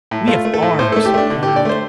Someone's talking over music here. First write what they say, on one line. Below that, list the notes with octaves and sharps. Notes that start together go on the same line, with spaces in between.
"We have arms," cried Lincoln.
A2
A3 F4
A3
A4
A2
A2 C5
A3 A4
G4
A3 D4
D3
D3 G4
D5
A3 C5